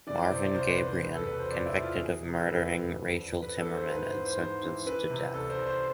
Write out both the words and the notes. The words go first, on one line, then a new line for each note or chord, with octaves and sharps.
Marvin Gabrion - Convicted of murdering Rachel Timmerman and sentenced to death.
E3 D5
D5
C3 C5
D5
C2 C5
B4
C2
C5
E2 B4
A4
B2 B4
C5
E2 D5
E4
B2
F4
E3 G#4
C3
A4
E2 B4
E2
F2
D3
F2 B4
A4
D3
C5
G#2 B4
C5
E3
C5
G#2 C5
E3
E3 B4
C3
C2 A4
C5
C2
C5